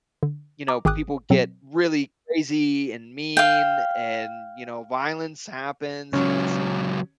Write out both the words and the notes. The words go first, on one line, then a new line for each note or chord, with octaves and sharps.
you know, people get really crazy and mean and, you know, violence happens, and it's
D3
A#5 D6
G#1 G#4 G5 D6 D#6 F#6
B2 F#3 C4
F5 G5
C#2 F#3 C#4